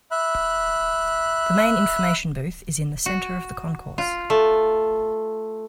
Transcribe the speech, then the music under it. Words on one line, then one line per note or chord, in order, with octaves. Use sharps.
The main information booth is in the center of the concourse.
E5 B5 F#6
F#4
F4
A3